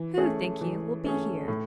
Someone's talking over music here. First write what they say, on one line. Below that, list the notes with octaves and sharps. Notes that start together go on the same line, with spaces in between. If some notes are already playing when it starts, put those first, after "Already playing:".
Who, think you, will be here?'
Already playing: E3
A3 C#4 G#4
E3
A3 C#4 G#4
A2